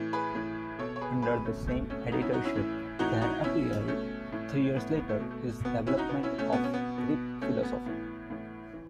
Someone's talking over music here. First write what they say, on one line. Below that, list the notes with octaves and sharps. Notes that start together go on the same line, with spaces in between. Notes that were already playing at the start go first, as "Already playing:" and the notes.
Under the same editorship there appeared, three years later, his "Development of Greek Philosophy".
Already playing: A2 E3
G#4 B4
A2 E3
B2 A4 C#5
C#5
G#4 B4
B2 G#4 B4
A3 C#4
B2 A3
A3 C#4
B2 B3 D#4
C#4 E4
D#4 F#4
C#4 E4
A2 E3
A2 E3 D#4 F#4
D#4 F#4
B2 C#4 E4
B2 A3 C#4
A2 E3
A2 E3 B3
B3
A3
B2
A3
B2 B3
C#4 E4
D#4 F#4
B2 B3
C#4 E4
A3 C#4
B2 B3
C#4
B3
B2
B2 A3 C#4
B3
A2 E3
A2 E3
E3